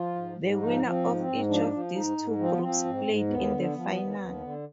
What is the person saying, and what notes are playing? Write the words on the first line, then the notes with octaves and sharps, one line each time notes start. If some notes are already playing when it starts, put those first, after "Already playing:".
The winner of each of these two groups played in the final.
Already playing: F3 F4
G#2
G#2
F3 D#4
F3
C4
G#2
C4
G#2
F3 D4
F3
G#2 D#4
G#2
F3 C4
B3
F3 C4
G#2
G#2
D#2 B3
D3
F3
D#2
D#2
D3